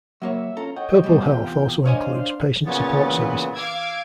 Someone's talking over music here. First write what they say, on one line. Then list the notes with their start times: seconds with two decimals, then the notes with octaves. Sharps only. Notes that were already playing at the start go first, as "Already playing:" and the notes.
Purple Health also includes patient support services.
0.22 F#3 A#3 C#5 E5
0.57 C#4 F4 A4 A#5
0.76 C#5 D#5 F#5 G5
1.04 B2 G3
1.22 E2 C3 F4 G5
1.86 D4 C5 C#5 D#5 F5 G#5
2.66 A#2 C#3 B3 C#4 C#5 A6
3.06 E3 B4
3.55 F5 D6 E6 G#6